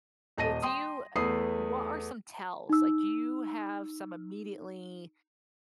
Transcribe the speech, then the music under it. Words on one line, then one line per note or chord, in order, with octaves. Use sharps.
uh, do you, uh what are some tells? Like, do you have some immediately
D#1 D#5 A5 A#6 D#7
G5 C6 D#6
E2 A3 A4 B4 D#6 C7
D#4 E6